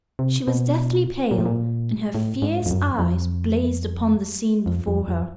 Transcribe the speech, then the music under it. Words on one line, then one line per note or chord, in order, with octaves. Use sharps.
She was deathly pale, and her fierce eyes blazed upon the scene before her.
C3
B2
A#2
A2
A#2
A2
G#2
F2
F#2
F2
F2
F2
F2